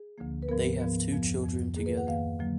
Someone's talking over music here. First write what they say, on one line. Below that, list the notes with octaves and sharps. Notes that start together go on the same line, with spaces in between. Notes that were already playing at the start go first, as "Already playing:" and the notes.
They have two children together.
Already playing: G#4
D2 D3 F3 A#3
B4
G#2 F3 B3 A#4
G#2 F3 B3
F2 F3 B3
F2 F3 B3
F2 D#3 A#3 G#4
B4
F#5
F2 D#3 A#3 F5
D3 F#3 A#3